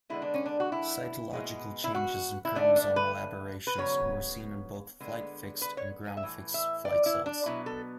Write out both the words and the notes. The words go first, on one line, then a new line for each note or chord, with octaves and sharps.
Cytological changes and chromosomal aberrations were seen in both flight-fixed and ground-fixed flight cells.
D3 G#3 B3 E4
D4
C#4
D4
F#4
E4
B2 G#3 B3
E4
F#4
E4
D3 A3 D4
D4
B4
B4
C#3 F#3 B3 C#5
D3 G#3 B3
B4
C#5
G#5
E5
A2 E3
E5
D5
E4
D4
B2 F#3 B3 E4
A4